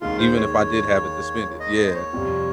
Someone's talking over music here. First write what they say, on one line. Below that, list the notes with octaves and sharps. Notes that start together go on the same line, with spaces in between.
even if I did have it to spent it yeah.
D#2 D#3 G#3 F4
C5
C#5
D#5
D#5
C5
C#5
F2 C3 G3 C4 F4